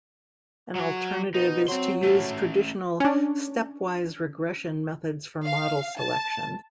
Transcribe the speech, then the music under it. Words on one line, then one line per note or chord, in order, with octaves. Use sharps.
An alternative is to use traditional Stepwise regression methods for model selection.
F#3 F#4 C#5
B2 D#4
F#3 C4 C6
A3 C#4
C#4 D4
F5
A5